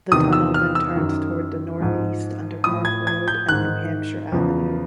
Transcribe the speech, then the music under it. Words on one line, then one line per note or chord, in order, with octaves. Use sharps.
The tunnel then turns toward the northeast under Park Road and New Hampshire Avenue.
E2 C3 D#3 D#6
E6
F6
E6
F#2 D#3
G#2 F3
A2 F3 D#6
G#6
G#6
G6
G#2 D#3 F#6
E2 C#3 F3